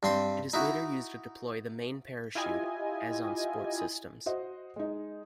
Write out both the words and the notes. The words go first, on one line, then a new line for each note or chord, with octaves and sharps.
It is later used to deploy the main parachute as on sports systems.
G2 C4 C6
D#4 E4 F#4
E4 F4 G4 D#5 G#5
F#4 C5 D#5
G#3 D#4